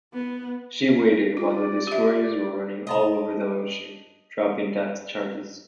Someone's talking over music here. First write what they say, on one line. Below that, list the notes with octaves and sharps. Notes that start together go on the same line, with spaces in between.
She waited while the destroyers "were running all over the ocean" dropping depth charges.
B3
F4 D5
G4 E5
D#5 A5